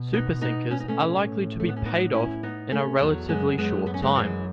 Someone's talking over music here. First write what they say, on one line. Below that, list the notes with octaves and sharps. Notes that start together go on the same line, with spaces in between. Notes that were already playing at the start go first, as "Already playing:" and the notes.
Super sinkers are likely to be paid off in a relatively short time.
Already playing: B2
B3 D#4
B3 D#4
C#4
D#4
A3 C#4
A2
A3
B3
C#4
B3 D#4
C#4 E4
B3 D#4
A3 C#4
E2 F#3 A3
F#2 G#3 B3
F#2 G#3 B3
B3
C#4
G#3 B3
E3 G#3